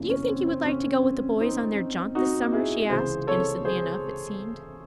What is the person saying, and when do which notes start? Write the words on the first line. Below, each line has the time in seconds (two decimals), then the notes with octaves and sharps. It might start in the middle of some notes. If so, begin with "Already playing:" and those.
"Do you think you would like to go with the boys on their jaunt this summer?" she asked, innocently enough, it seemed.
Already playing: F#1 E2 C#3 E3
0.10 C#4
0.28 C4
0.47 C4
0.65 C#4
1.03 C4
1.41 C4 D#4
2.15 D#4 F#4
2.52 E4 G#4
2.90 C#2 C3 E3 G#4 C5
3.27 A4 C#5
3.65 G#4 C5